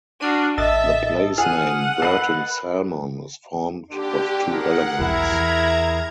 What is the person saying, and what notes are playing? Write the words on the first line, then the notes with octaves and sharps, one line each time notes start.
The place name "Burton Salmon" is formed of two elements.
D4 F#4 F6 C7 D#7
A1 A4 D#5 E5 A6
G#4 F#5 F6 D#7
A4 B4 D#5 C7
D#2 D3 D4 G4
G#4 A#4 F#5
B1 E2 E4 A#5 G#6
E2